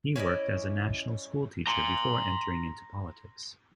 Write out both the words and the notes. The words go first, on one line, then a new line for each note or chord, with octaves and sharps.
He worked as a national school teacher before entering into politics.
C#4 E4 D5 D#5
A#5 C6